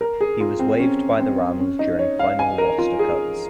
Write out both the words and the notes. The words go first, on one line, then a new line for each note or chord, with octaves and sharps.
He was waived by the Rams during final roster cuts.
A#4
G#4
F4
C4
C#4
C4
C#4
D#4
C#5
F5
G#5
A#4
F4
G#4